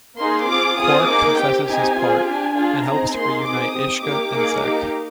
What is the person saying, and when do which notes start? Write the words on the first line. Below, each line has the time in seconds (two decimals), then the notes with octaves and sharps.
Quark confesses his part, and helps reunite Ishka and Zek.
0.20 A#3 D#4 G#4 C6
0.50 C4 F4 G#4 D6
0.79 C4 F4 G#4 D#6
1.09 A#3 D#4 G#4 D6
1.39 C4 G4 G5
1.68 C4 D#4 G4 G#5
1.97 C4 F4 G#4
2.26 D4 G4 G#5
2.56 D4 F4 G#4
2.86 C4 D#4 G#4 A#5
3.16 A#3 D#4 G#4 C6
3.45 C4 D#4 G#4 D6
3.74 C4 G4 D#6
4.04 A#3 D#4 G4 D6
4.33 A#3 D#4 G#4
4.63 A#3 D#4 G4